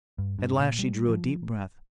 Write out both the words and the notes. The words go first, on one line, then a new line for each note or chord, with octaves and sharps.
At last she drew a deep breath.
G2
G2
C3
A#2
G3
F3